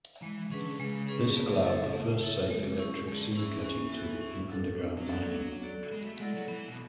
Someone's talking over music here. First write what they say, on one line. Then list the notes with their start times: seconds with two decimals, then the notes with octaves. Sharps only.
This allowed the first safe electric seam cutting tool in underground mining.
0.22 E3 G#3
0.51 D3 C#4 G#4 B4
0.80 C#3 G#3
1.08 C#4 G#4 B4
1.37 A3
1.65 E4 A4 C#5 E5
1.93 A3
2.22 E4 A4 C#5 E5
2.50 G#3
2.79 C#4 E4 G#4
3.07 D3 G#3
3.36 E3 C#4 E4 G#4
3.64 C#4
3.92 F#4 A4
4.21 C#4
4.49 F#4 A4
4.78 D4
4.97 F#3
5.06 F#4 A4 D5
5.16 F#3
5.34 D4
5.63 F#4 A4 D5
5.91 G#3 B3
6.06 A3
6.20 G#3 E4 A4 D5 F#5
6.34 F#3
6.48 E3 B3
6.69 B2